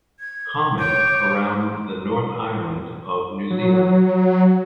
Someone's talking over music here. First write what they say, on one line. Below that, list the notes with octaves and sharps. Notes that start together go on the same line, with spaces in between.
Common around the North Island of New Zealand.
G#6
C#5 D6 G6
F#3